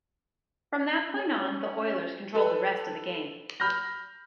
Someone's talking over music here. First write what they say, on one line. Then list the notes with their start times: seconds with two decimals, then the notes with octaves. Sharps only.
From that point on, the Oilers controlled the rest of the game.
1.13 C#4
2.35 A4 B4
3.60 B5 F6 G6 A#6